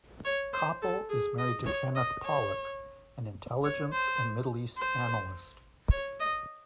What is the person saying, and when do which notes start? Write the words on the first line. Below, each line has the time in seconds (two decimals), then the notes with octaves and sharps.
Koppel is married to Kenneth Pollack, an intelligence and Middle East analyst.
0.25 C#5
0.53 C5
0.82 A4
1.09 G#4
1.38 D#5
1.66 C#5
1.95 D#5
2.23 C#5
3.64 C#5
3.93 C5
4.78 C5
5.91 C#5
6.20 D#5